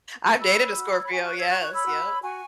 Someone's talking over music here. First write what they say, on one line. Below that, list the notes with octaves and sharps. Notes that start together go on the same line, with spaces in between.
I've dated a Scorpio, yes, yep.
B5
C#6
F#4 B5 E6
C#5
F#4
C#5
B5
F#4 G#5 C#6
C#6 F#6
C#5
E6 G#6
F#4 C#6 F#6
C#6 F#6
C#5
B5 E6
F#4
C#5
F#4 G#5 C#6